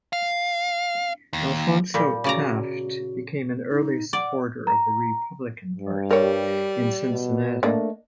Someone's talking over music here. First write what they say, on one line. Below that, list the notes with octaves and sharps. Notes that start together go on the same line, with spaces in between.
Alphonso Taft became an early supporter of the Republican Party in Cincinnati.
F5
D#2
A#2 G3 A4
C#3 F#4 D5 A#5
D#4
D5 F#5
A#5
G2
G3 A#4 C#5
B2
A3 A#3 D4 D#5